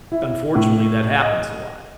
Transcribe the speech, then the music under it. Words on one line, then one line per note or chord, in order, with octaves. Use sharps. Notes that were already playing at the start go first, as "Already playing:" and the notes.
unfortunately, that happens a lot,
E4
A2
D#5